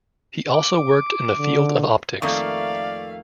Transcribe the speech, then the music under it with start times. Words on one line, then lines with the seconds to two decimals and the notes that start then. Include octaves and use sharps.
He also worked in the field of optics.
0.54 D6
1.39 D3
2.22 F2 D#3 A3 A#3 D5 E5 F5 C#6